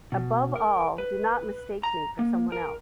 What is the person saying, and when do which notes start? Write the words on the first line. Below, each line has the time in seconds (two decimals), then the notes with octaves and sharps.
Above all, do not mistake me for someone else!
0.12 B2
0.56 A#4
0.98 B4
1.83 A#5
2.19 A#3
2.52 A#4